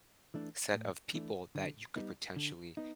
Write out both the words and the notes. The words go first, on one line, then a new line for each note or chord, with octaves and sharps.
set of people that you could, potentially,
E3 A3 D4
A2
E3 A3 D4
D3
G3 B3 D#4
D3
B3 D#4